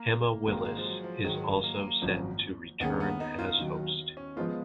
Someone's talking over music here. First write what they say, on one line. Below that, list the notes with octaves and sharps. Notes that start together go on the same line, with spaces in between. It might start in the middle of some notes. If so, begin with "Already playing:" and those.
Emma Willis is also set to return as host.
Already playing: A#3
G#1 G#2 D#3 G#3 A#3
G#3
F3
F#3
F3
G#2 D#3 F#3 G#3
A#3
G#1 F#2 F3
D#2 D#3 A#3 B3 C#4 G#4
B3
D#4
F4
D#2 D#3 F#3
C#4
F3 G#3 B3 F4